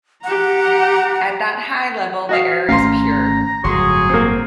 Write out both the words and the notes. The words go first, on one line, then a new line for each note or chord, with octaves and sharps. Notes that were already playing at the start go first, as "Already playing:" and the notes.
At that high level the air is pure.
G4 F#5 A#5
F#4 D#5 F5
G#1 A3 C#4 F5 A#5 C6
G1 F2 A2 F#3 G#4 C6 C#6
A#3 C4